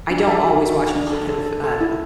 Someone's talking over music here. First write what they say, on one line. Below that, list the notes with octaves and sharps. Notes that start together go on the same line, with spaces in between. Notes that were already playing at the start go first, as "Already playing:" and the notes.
I don't always watch a lot of, uh,
D4
A4 E5 A5
F#4
F#4
A4
D4
A4
A4
A4
A4
E4